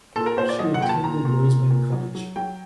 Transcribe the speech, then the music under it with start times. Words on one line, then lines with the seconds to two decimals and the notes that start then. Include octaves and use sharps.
She attended Rosebank College.
0.16 A#2 A4
0.26 A#4
0.37 A#2 C5
0.49 D5
0.59 F#3 D#5
0.74 F#5
0.81 A#2 G5
0.89 A5
1.04 A#2 A#5
1.25 A#2
1.48 A#2
1.70 A#2
1.93 F#3
2.15 F#3
2.36 F#3 G5